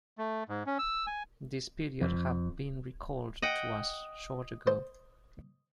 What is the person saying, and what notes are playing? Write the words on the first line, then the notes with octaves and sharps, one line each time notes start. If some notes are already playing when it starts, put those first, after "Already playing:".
This period have been recalled to us short ago.
A3
G#2
C#4
E6
G#5
F2
D#5 F#5 G5
C5